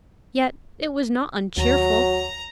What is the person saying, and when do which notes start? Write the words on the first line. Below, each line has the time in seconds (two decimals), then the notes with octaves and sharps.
Yet it was not uncheerful.
1.57 D#2 F#3 A#5